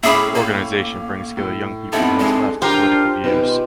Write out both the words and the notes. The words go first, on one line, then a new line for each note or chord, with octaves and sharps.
Organisation brings together young people who has left political views.
A2 C#4 G#4 E5 B5 D6
A#3
A2
B3 C4 D#4 E4 G4 A4 B5
G#3 D4 G#4
D4 F4 G4 A#4 C5
B2 D#4 F4 B4 D5